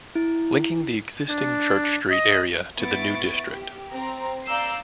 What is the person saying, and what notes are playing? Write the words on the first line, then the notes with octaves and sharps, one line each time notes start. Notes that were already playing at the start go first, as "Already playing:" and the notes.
Linking the existing Church Street area to the new district.
E4
D4
D#5
B3 E4 C#6 A6 D7
G4
C4 A#5
D5 F5 A#5 E6 G6 C7